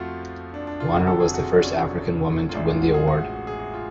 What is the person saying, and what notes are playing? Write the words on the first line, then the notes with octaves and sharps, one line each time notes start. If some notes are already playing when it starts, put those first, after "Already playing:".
Wanner was the first African woman to win the award.
Already playing: F2 F3 A3 F4 F#4
D4
D4
F4
F1 F2 D3 F#3 F#4
A4
G#4
F#4
F4
D4
C#4
F4
A1 A2 G#3 D4
F4
F#4
G#4
F#4
F#4
F#4
G#4
F#4
F4